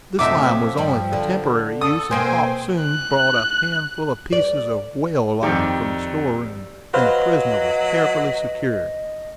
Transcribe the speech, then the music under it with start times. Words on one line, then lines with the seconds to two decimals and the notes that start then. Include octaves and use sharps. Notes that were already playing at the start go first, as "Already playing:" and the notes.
This line was only for temporary use; and Hop soon brought a handful of pieces of whale-line from the store-room, and the prisoner was carefully secured.
0.19 F#2 C3 F3 A3 D#4 E5 D6
0.43 F3 F#3 A3
0.78 G2 G3 D5
1.13 D3
1.81 A4 D#6
2.11 B2 A#3 C4 C5 G5 G#5
2.82 F#6
4.33 D5
5.43 F2 D#3 G3
6.94 F#3 B4 C5 D#5 F5